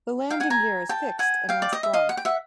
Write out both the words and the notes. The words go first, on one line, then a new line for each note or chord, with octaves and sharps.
The landing gear is fixed and unsprung.
F5 G5
F#5 G#5
G#5 A#5
G5 A5
F#5 G#5
F5 G5
D5
D#5
E5
D#5 F5
F#5
G5
E5 F#5